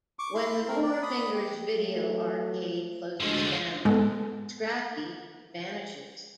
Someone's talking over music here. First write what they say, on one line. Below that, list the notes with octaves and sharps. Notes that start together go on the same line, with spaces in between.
When the Four Fingers Video Arcade closes down, Scrappy vanishes.
C#6 D6
E4 C6
A3 C4 A#4
D5
B5 D#6
G4
F#3 A3
D2 D3 F3 G#3
G#2 G#3 B3 A4 F#5